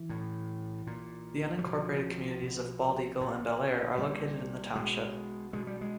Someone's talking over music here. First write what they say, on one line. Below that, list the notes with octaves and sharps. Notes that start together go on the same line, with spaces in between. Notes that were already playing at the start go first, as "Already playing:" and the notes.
The unincorporated communities of Bald Eagle and Bellaire are located in the township.
Already playing: E3
A2
A#2
F#3
B2 F3
B2
A#2
A#2 G3
B2 G#3
B2 G#3
G3
G#3